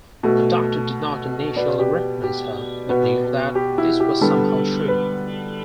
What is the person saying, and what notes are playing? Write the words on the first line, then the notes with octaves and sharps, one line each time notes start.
The Doctor did not initially recognise her, but knew that this was somehow true.
B2 A3
B2 B3 D5
G4
G4
B2 B3
G4
E4
G4
D3 G3 B3 A4
B4